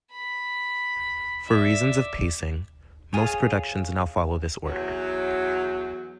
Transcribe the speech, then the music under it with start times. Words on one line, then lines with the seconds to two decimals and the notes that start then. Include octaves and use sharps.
For reasons of pacing, most productions now follow this order.
0.11 B5
1.46 D5 E5
3.13 F4 G#4 C#5
4.65 E2 F#3